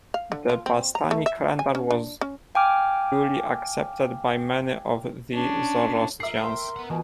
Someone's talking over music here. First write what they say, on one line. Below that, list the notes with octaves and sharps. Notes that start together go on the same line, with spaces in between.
The "Bastani" calendar was duly accepted by many of the Zoroastrians.
F5
D3
F4
C4
A#5
A3
E5
G#5
C#4
D4
C#4
F5 G5 G#5 D6 F6
C#4 D4
G#4 A#4 E5 C7
G5 C6
B3 F#5
B2 E3 G#5